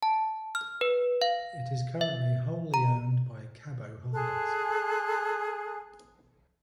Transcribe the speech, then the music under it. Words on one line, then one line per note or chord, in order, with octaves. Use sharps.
It is currently wholly owned by Kabo Holdings.
A5
F6
B4
F5
E5
A#5
G#4 A4 C6 F#6